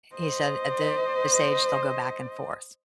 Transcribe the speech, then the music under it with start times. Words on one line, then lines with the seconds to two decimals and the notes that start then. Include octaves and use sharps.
He said, "At this age they'll go back and forth."
0.16 C5 D#5